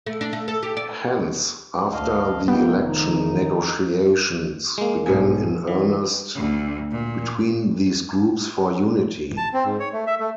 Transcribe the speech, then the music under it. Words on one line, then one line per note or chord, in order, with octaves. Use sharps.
Hence after the election negotiations began in earnest between these groups for unity.
A3
D4
A3
A4
G4
D5
D2 D4 D#5 F5
F1 G#3 A#3 B3 G5
D#3 D#4
G#3 A#3
B1 G#2 G#4 G#5
E3
D2
A#2
A5
C4
G#2
C#5
A3
E5
A3